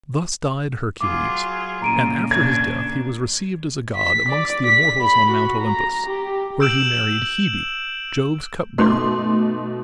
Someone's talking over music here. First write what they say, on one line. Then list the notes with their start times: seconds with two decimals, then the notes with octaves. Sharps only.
Thus died Hercules, and after his death he was received as a god amongst the Immortals on Mount Olympus, where he married Hebe, Jove's cupbearer.
1.01 F#3 F4 G#4 D6
1.82 A#2 C#3 A#3 A#5 D7 D#7
2.31 A#2 C#3 D4 G#6
3.95 B6
4.29 D5
4.66 B6
5.01 B5
5.31 F#4
5.61 A#5
6.07 G4
6.60 E6 G6 D7 E7 F#7
8.78 B2 A3 D#4 C6 D6